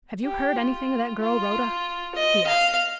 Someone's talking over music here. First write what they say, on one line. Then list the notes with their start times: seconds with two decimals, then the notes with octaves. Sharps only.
"Have you heard anything of that girl Rhoda?" he asked.
0.25 G4
0.56 F4
1.21 F4
2.15 D#5
2.47 F5